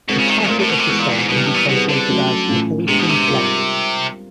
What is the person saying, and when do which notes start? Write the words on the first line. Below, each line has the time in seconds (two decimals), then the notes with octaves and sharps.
The title of the song can be translated as "The Balsam Flowers".
0.09 B2 G#3 C4 F4 A#4
0.19 C#3
0.29 D#3
0.40 E3
0.48 A#2 A3 C4 F4 A#4
0.59 A2
0.69 B2
0.79 C3
0.89 B2 E3 G#3 B3
0.99 A#2
1.09 G2
1.18 G#2
1.29 B2 E3 G3 B3
1.37 A#2
1.46 A2
1.54 A#2
1.68 B2 G3 C4 E4 G#4 B4
1.89 D3
2.08 F#3 A3 C#4 F#4
2.48 A2 E3 A3 C#4 F4
2.88 C3 G#3 B3 D4 G4
2.99 B2
3.09 C3
3.28 G3 C4 F4 A#4